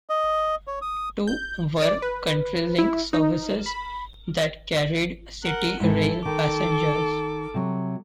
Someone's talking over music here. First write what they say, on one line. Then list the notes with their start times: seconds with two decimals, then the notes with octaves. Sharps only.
Two were CountryLink services that carried CityRail passengers.
0.10 D#5
0.67 C#5
0.82 D#6
1.27 G6
1.82 D5
2.02 B4
2.78 E4
3.13 D#4
3.66 B5
5.43 A#4 F#5
5.80 G#2 C3 E3 E4 A4
6.25 D#3 A4 D6
7.54 C3 F#3